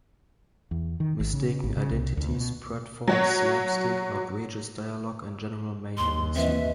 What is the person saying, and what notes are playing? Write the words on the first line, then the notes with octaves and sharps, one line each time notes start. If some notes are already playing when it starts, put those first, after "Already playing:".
Mistaken identities, pratfalls, slapstick, outrageous dialogue, and general mayhem ensue.
E2
D#3
G#1
C#3
G#1
C#3
C2
D2
B2
F#3 F#4 C#5
D#2 C6
E3 A#3 C4 B4 D#5 E5